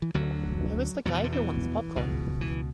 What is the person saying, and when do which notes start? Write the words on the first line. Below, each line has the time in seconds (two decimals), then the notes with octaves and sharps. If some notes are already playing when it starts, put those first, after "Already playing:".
Who is the guy who wants popcorn?
0.02 E3
0.14 D2 D3 F#3
1.05 E2 B2 F#3
1.14 E3
1.24 D3
1.32 E3
1.96 C#2 B2
2.41 E3